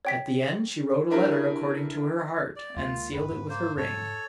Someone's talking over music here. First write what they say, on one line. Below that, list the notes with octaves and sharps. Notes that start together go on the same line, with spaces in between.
At the end she wrote a letter according to her heart, and sealed it with her ring.
C#5 G5 B6
D4 E4 G4 A#4 B4
D5
D2 G#3 A#3 F4
D1 G1 G#2 B4
G#2
A#3 C5
G#2 A4 C#5